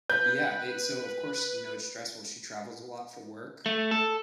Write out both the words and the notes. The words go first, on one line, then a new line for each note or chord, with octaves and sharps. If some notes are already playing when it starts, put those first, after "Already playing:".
Yeah, i so, of course, you know, it's stressful. She travels a lot for work,
B4 G6
A3
A4